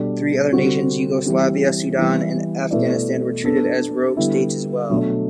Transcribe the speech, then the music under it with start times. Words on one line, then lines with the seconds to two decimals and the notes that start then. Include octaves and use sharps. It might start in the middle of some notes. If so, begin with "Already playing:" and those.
Three other nations, Yugoslavia, Sudan, and Afghanistan, were treated as rogue states as well.
Already playing: B2 G3 D4 A4 D5
0.53 D3 G3 C4 F#4
1.25 E3 G3 C4 G4
1.98 E3 G3 B3 E4
2.71 B2 A3 E4 B4 D5
3.44 B3 D4 A4
4.17 D3 G3 B3 E4
4.90 B2 F#3 A3 D4